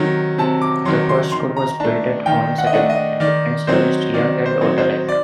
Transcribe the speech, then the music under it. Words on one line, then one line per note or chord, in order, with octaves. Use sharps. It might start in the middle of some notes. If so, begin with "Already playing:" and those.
The first school was built at Horne Settlement, and serviced young and old alike.
Already playing: C3 D#3 F#3
C3 A5
D6
D#3 F#3 C6
C6
D#3 C6
A#5
A3 D4 A5
D#3 G5
F#5
D#5
A3 D4 F#5
D#5
D#3 D5
F#3 C4 D#4 C5
D#3 D5
C5
F#3 C4 D#4
C5
D5